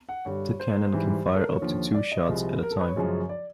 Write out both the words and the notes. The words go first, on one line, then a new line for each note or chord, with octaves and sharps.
The cannon can fire up to two shots at a time.
F#5
G2 D3 G3 C#5
C5
G#2 E3 G3
C#5
A4
A#4
C#5
D#2 D3 F3
D5
D#5
C2 C3 F3 G#3
A#4
A4
B4
C#5
F#2 C#3 F3 G#3
D5